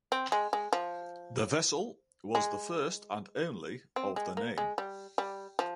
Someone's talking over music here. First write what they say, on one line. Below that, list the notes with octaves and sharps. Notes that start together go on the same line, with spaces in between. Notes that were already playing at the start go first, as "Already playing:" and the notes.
The vessel was the first and only of the name.
C4
G#3
G#3
F3
G#3
C4
G#3
A#3
G#3
G3
G3
F3